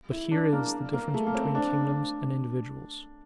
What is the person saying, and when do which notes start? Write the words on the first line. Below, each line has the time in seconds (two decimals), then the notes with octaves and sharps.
But here is the difference between kingdoms and individuals.
0.11 E4
0.31 D4
0.53 A#3
0.93 A#3
1.14 A3
1.27 A#3
1.35 C4
1.55 D4